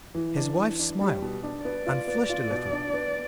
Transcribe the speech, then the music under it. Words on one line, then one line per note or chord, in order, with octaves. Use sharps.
His wife smiled, and flushed a little.
E3
D4
E3
D4
G3
B2
D4
B3 D5
F4
B3
F4
B2
D4
B3